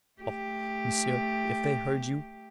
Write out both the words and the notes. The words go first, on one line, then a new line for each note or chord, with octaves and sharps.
Oh! monsieur, if they heard you!
A3 G4